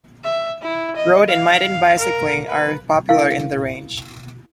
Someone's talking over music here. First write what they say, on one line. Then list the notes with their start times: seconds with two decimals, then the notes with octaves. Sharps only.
Road and mountain bicycling are popular in the range.
0.24 E5
0.62 E4
0.96 D#5
1.28 F5
1.99 A#4
2.48 B4
3.09 E4 A#4 F5